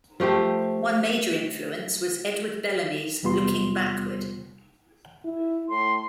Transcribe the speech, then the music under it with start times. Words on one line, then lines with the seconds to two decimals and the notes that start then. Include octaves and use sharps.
One major influence was Edward Bellamy's "Looking Backward".
0.20 F3 A3 G4 C5
3.23 E2 C3 G3 B3 F4 C6
5.25 E4
5.69 A2 C6